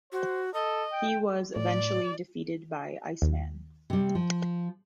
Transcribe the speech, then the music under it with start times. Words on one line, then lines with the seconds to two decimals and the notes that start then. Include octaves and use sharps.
He was eventually defeated by Iceman.
0.12 F#4 C5
0.54 A4 D#5
0.92 G5
1.56 A2 D5
3.22 D#2
3.90 C3 G3
4.15 F3